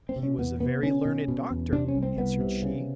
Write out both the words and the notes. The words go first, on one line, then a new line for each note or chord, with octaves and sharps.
'He was a very learned doctor,' answered she.
C4
C3
C#4
E2 B3
C3 B3
B2 C#4
B2
B2
E2
C3 D4
C#4
C2
C4
C2 B3
C3
C#3